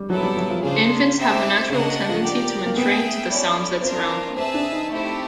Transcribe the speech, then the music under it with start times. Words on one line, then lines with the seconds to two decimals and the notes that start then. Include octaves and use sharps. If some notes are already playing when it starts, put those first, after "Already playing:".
Infants have a natural tendency to entrain to the sounds that surround them.
Already playing: G3
0.10 F#3 B3 E4 A4
0.23 G3
0.37 F#3
0.50 F3
0.63 C#3 D4 F4 G#4 C5
1.16 C4 D#4 G4 C5 E5
1.69 C#3 D4 F#4 A#4 D#5 F#5
2.09 F3
2.23 G4 A#4 D5
2.65 A#3
2.76 B3 G#4 B4 E5 G5
3.30 C#4 E4 A4 D5
3.83 C4 D4 F4 A#4
4.36 C4 G#4 B4 E5 A5
4.54 D4
4.72 D#4
4.89 A3 C4 E4 G4